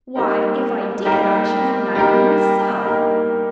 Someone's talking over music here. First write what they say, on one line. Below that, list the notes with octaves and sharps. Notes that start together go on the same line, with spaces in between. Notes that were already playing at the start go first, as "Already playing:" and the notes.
Why, if I did, I should have none for myself.
G3 A#3 D#4 G4 A#4
G3 A#3 D#4 G4 A#4
G3 A#3 D#4 G4 A#4
G3 A#3 D#4 G4 A#4